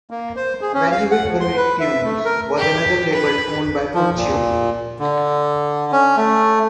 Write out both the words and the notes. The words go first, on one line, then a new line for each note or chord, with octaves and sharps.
Value Hit Parade Tunes was another label owned by Puccio.
A#3
C5
G#4
C#4
F5
F#5
F3
C6
B4
E5
A3
A#4
G4
B4
F3
A#2
D3
C#4
A3